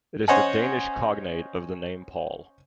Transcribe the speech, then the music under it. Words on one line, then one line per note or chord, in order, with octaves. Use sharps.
It is the Danish cognate of the name Paul.
C#4 C5 C#5 D#5 F#5 G#5